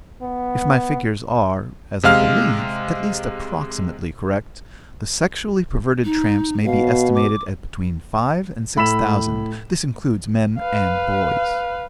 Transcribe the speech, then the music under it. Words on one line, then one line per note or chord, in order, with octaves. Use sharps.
If my figures are, as I believe, at least approximately correct, the sexually perverted tramps may be estimated at between five and six thousand; this includes men and boys.
B3
C3 G#3 F5 F6
D#4
B2 F5
D6
A2 B5 E6 B6 E7
B4 F5